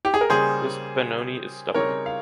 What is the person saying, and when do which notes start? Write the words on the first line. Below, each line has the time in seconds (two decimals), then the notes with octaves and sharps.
This Benoni is stubborn.
0.05 G4
0.14 G#4
0.21 A#4
0.30 C#3 G3 A#3 G#4 C5
1.74 C#3 G3 C4 D#4 A#4 C#5
2.06 F5